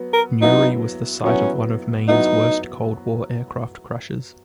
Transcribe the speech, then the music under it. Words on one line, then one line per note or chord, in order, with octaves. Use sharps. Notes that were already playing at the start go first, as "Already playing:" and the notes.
Newry was the site of one of Maine's worst Cold War aircraft crashes.
Already playing: F#3 B3
A#4
F#3 B3 D#4 E4
F#3 B3 C#4 E4
F#3 B3 D#4 E4